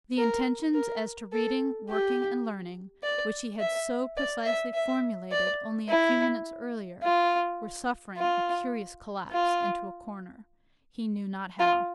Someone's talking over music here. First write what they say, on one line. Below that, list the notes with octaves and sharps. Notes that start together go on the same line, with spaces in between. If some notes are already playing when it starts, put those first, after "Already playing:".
The intentions as to reading, working, and learning, which he had so precisely formulated only a few minutes earlier, were suffering a curious collapse into a corner, he knew not how.
A#4
A#4
A4
G4
D5
E5
D5
E5
E5
D5
E4
F4
F4
F4
F4